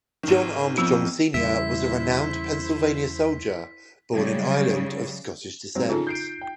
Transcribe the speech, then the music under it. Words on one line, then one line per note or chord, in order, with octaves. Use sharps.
John Armstrong Senior was a renowned Pennsylvania soldier born in Ireland of Scottish descent.
G#1 D#3
F2 B3 D#4 E6
E2 C#3 G3 E4 C5 E5 B6
C#3 F#3 G3
G#2 F#3 C4
C#3 D#4 F4 A4
G6 C7 D7
G5